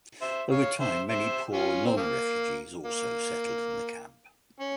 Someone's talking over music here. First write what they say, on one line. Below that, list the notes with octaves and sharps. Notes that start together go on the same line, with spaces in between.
Over time many poor non-refugees also settled in the camp.
C5 E5
C#5 F5
C5 E5
C5 E5
C#4 F4
C4
F3 A#3
A#3
C#4